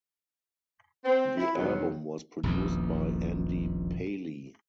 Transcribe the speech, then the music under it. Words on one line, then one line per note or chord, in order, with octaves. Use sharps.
The album was produced by Andy Paley.
C4
E4
E2 B2 D#3 F#3
D#1 A#1 E2